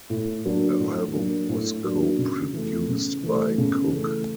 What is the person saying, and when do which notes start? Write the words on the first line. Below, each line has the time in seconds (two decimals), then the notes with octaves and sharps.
The album was co-produced by Cook.
0.10 A2
0.45 F#3 A#3 D4 F#4
0.79 A2
1.14 F#3 A#3 D4 F#4
1.49 A2
1.84 F#3 A#3 D4 F#4
2.18 C#3
2.53 E3 A3
2.88 C#3
3.23 E3 A3
3.58 C#3
3.93 E3 A3